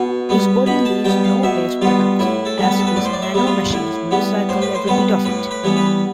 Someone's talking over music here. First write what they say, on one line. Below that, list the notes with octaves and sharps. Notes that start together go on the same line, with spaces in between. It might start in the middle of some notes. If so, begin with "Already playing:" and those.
His body leaves no waste products as his nanomachines recycle every bit of it.
Already playing: B2
G3 B3
B2 B5
A5
G3 B3 G5
F5
B2 E5
G3 B3 F4
A2 E4
A4
G3 B3
B4
A4
B4
A2 D5
C5
D5
E5
G3 B3
F4
A2 E4
G3 B3
A2 C5
B4
C5
G3 B3 B4
A2 B4
B4
E3 G3 B3
B4